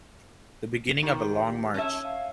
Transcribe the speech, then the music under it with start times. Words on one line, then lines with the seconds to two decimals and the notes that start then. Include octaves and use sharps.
The beginning of a long march.
1.03 D#3 G4
1.74 C#4 E5 A5
2.03 F5